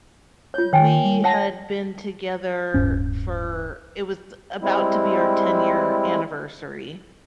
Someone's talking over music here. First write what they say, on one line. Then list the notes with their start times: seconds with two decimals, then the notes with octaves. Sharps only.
we had been together for it was about to be our ten-year anniversary.
0.54 F4 C#5 G6
0.73 D#3 C#5 G5 G#5
1.04 G3
1.24 C#5 F#5 A5 A#6
2.74 D1 G2 C#4
4.60 G3 G#3 C4 E4